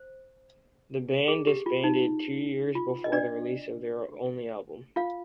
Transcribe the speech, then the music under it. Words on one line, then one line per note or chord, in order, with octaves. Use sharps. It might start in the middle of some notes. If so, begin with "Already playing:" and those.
The band disbanded two years before the release of their only album.
Already playing: C5
G#4
G4
F4
D#4
F4
D#5
D4 D5
F4 F5